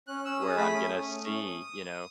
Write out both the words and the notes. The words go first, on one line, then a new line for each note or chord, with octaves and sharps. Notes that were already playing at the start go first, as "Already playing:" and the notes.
where I'm gonna see, you know,
C#4 F#6
C#4 E6
G#4 D#6
A3 B5
C#4 D#6
C#4
A3
C#4